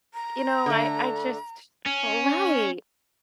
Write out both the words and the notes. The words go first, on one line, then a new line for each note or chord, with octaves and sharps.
You know, I I just Right.
A#5
D3 A3
C#4